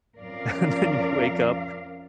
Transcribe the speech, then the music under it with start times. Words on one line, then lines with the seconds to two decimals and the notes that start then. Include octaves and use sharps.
and then you wake up,
0.20 F2 F3 C#4 A#4 D5 F5